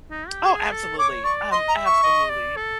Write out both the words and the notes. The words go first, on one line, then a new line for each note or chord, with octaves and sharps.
Oh, absolutely, um, absolutely.
D#4
G4
G#4
A4
C#5 D6
D5 C#6
D#5 C6
A#5
E5
C#6
D#5
D5
A4